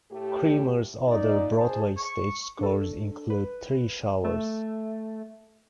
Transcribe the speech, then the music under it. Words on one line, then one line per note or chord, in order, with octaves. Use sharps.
Creamer's other Broadway stage scores include "Three Showers".
A2 A3 G4
A#2 D#4 D5
G#4 C5 A5
C#6
D4 A4
B4
A3